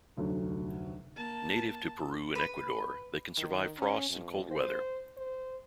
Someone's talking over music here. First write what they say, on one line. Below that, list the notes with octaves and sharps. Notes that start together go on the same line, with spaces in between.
Native to Peru and Ecuador, they can survive frosts and cold weather.
F1 D2 F#3 A4
A#3 A5
B4
D#3
C#4
F2
C5
C5